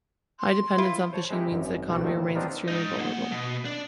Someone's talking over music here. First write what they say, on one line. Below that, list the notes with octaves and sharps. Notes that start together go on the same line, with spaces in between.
High dependence on fishing means the economy remains extremely vulnerable.
C6
E4 F4
C5 C#5 A5
G#3 C4 D#4 E4 G4 A#4
G#1 F#2
B1 C4 F#4
D#2 A#2 D#3 A3 C5
B3 C4 D4 D#4 F4 A#4
G#2 D#4
A#3 F#5
B2
D4